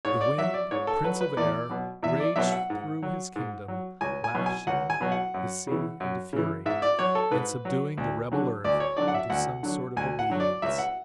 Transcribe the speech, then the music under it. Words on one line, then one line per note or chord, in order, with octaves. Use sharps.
The wind, prince of air, raged through his kingdom, lashing the sea into fury, and subduing the rebel earth into some sort of obedience.
G#2 C#5
D5
F#3 E5
D5
G#2 C#5
A4
F#3 B4
B4
E2 D5
B2 F#3
E2 E5
D5
B2 F#3 E5
F#5
G#2
F#3
G#2
F#3
C#2 G#5
G#5
B2 F#3
G#5
C#2 F#5
G#5
B2 F#3
F#5
F#2
C#3 E3
F#2
C#3 E3
G#2 E5
D5
F#3 C#5
A4
G#2 B4
F#3
D2
D3 F#3
D2 D5
C#5
D3 F#3 D5
F#5
E5
D2 F#5
D3 F#3
D2 G#5
F#5
D3 F#3
D5
C#2 E5
F#5